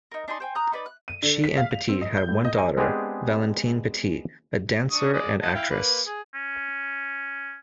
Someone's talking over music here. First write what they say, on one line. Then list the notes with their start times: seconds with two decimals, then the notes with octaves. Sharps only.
She and Petit had one daughter, Valentine Petit, a dancer and actress.
0.11 D#4 A#4
0.28 D4 D#4 G#5 C6
0.40 C5 G5 G#5
0.55 A#5 D#6 F#6 G6
0.72 D#4 B4 D5
0.86 F#6
1.08 D#7
1.23 D3
1.44 B6
1.57 F5
1.71 F7
1.89 C4
2.01 D#5
2.17 G6
2.29 A2
2.45 D#5
2.58 G#5
2.77 G#3 B3 C4 D4 G4 G#4
4.91 D4 C#6 D#6
5.13 G#3 D5 D#6
5.43 D#5 F#5 A5
5.55 E4 F5 G5
5.70 A#3 B4
6.06 G#4
6.34 C#4